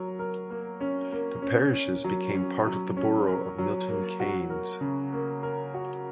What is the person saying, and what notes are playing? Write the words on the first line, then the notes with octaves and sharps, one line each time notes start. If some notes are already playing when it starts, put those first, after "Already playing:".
The parishes became part of the borough of Milton Keynes.
Already playing: F#3 A#4
A#4
A#3
C#4
A#3
C#4
C#4
F#3
C#4
F#3
C#4
A#4
F#3
A#3
F#4
A#4
C#3
A#3
A#4
F#4